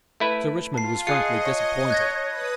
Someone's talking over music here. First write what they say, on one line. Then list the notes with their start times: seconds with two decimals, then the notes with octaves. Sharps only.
Sir Richmond was frankly disappointed.
0.20 A3 E4 B4
0.74 F4 A5 C7
1.07 F4 G#4 D#5 D#6 F#6 C#7
1.44 C#5
1.90 F#6 G#6 A#6
2.24 B4 D#6